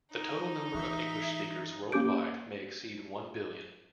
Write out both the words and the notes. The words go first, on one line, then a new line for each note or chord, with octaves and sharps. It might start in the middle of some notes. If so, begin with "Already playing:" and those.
The total number of English speakers worldwide may exceed one billion.
D#4
E3 E5
A#3 C#4 G4 D6 G6 D7